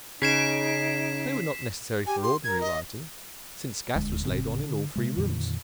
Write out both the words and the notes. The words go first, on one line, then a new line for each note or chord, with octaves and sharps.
They were not necessary for ordinary lighting, since gas was laid on in all three rooms.
C#3 C#4 D#4 G#6 B6 C7 D7 E7
G4 G#5
C6
A#4 G#6
D#5
D#1 D2 G#3
F1 A2 C#3 C4
D3
C3 G#3
F2 A#2 D3 D#3